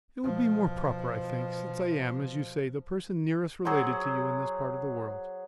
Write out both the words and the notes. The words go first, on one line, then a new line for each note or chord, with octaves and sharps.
It would be more proper, I think, since I am, as you say, the person nearest related to you in this part of the world.
B2 F3
F#3 G#4 C5 C6